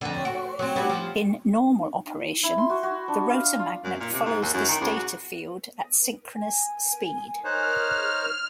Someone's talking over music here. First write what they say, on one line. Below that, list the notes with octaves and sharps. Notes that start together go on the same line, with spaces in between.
In normal operation the rotor magnet follows the stator field at synchronous speed.
F2 D3
F#4
F#3 C4
F#3 G3 F#4
F3
E4
C6
F#4
F#4
D4
F5
F4
F#2
A#2
C3
G#2
D#2
F#2
D#3
C#2
F#4
G#5
D#4 C5 C#5 F6 F#6